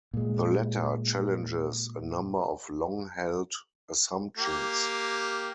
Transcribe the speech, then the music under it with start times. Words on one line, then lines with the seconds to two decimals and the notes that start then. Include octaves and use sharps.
The Letter challenges a number of long-held assumptions.
0.14 A#2 G#3
4.38 A#3 G4